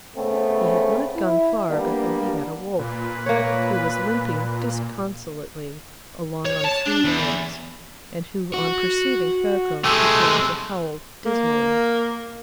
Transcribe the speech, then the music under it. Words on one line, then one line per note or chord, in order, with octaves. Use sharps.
He had not gone far before he met a wolf, who was limping disconsolately along on three legs, and who on perceiving Ferko began to howl dismally.
C#3 A3 B3 C4
E4
G3 A#3 B3 D4
A#2 B4
A#3 C#5
C#5
A5
D4
E2
F#4
C3 G#3 A3
A#3